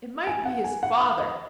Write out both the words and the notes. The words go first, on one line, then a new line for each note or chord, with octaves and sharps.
It might be his father!
G#5
F#5
G#5
F#5
F5
D#5